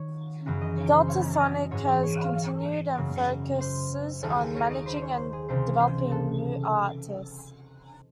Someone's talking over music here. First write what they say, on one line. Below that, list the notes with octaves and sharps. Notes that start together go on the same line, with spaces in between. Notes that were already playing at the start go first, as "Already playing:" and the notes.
Deltasonic has continued and focuses on managing and developing new artists.
Already playing: D#3 C#5
F#2 C#3 E3 G#3 F#4
D#5
C#5
C5
C#5
D#5
G#2 E3 G#3 C#5
C#5
F#2 C#3 F#3
C5
D#2 D#3 G#3 A4
C#5
D#5
C5
C5
C#5
C5
G#4
C#2 C3 E3 C5
C5
A4